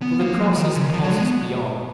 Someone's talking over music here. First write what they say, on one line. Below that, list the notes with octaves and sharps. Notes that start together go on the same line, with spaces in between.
For the process passes beyond.
B3
A#3
F#3
F3
D#3
C#3
D#3
F3
F#3
G#3
B3